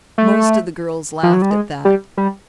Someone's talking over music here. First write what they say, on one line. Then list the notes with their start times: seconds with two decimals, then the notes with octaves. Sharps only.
Most of the girls laughed at that.
0.18 A3
1.23 F3
1.33 F#3
1.42 G3
1.51 G#3
1.85 G3
2.17 G3